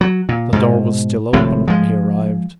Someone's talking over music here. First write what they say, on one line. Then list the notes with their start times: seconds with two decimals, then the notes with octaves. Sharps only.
The door was still open when he arrived.
0.01 F#3
0.29 A#2
0.53 G#2 B2
1.33 G#1 A2 C3 F3
1.68 F3 G#3